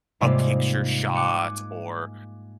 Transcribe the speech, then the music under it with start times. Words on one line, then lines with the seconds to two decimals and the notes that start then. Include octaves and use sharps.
a picture shot or,
0.20 G#2 C3 G3 G#3 A#3 F4
1.15 G#5 D6 F#6 C#7 D#7